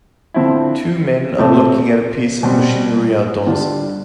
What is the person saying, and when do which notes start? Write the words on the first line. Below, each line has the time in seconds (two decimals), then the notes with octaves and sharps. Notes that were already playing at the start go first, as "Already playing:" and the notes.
Two men are looking at a piece of machinery outdoors.
0.34 D3 F3 C4 E4
1.38 C3 F3 A3 C4
2.43 B2 G3 C4
3.46 D3 G3 D4 F4